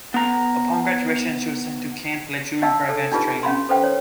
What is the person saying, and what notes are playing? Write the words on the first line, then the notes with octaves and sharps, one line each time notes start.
Upon graduation, she was sent to Camp Lejeune for advanced training.
B3 A#5
D4 D#5 F5 A5 E6
A4
D4 D#4 F4 G4 B4
C#4 F5 B5 C6
A4 B4 C5 F5 G5
C#5